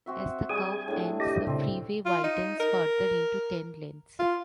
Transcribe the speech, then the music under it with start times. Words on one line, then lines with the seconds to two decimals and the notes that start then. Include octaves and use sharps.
As the curve ends, the freeway widens further into ten lanes.
0.06 C4 F#4 E5
0.50 G3 G#4 D#5 G#5
0.88 A2 D4
1.20 G4 D#5
1.47 A#2 C#3 G3 C4
2.06 F4
2.24 D#4
2.60 A#4
4.19 F4